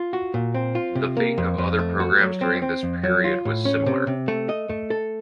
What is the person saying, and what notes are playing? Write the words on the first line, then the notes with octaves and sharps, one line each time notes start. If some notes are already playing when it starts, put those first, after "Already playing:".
The fate of other programs during this period was similar.
Already playing: F4
F#4
A#2
C4
F4
C3
A#3
F2
F2
A3
F#4
F#3
C4
C4
F2
F#3
F4
A2
C#4
C3
C3
A3
D#5
A3
A4